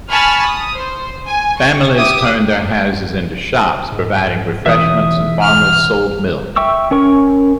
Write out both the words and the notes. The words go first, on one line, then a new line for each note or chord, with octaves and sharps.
Families turned their houses into shops providing refreshments and farmers sold milk.
G#5 A5 B5 C#6 F6
D#6
C5
G#5
C#6
G4 E5 D6 D#6
G#2
B1 E2 E3 E5 D#6
F6
E5 G5 C#6 E6
C#4 A#4 C#6